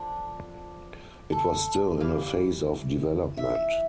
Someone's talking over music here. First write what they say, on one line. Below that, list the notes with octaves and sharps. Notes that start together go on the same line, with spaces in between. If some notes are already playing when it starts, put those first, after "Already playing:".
It was still in a phase of development.
Already playing: D3 F3 B3 D4
A4
E3 G3 F5
E5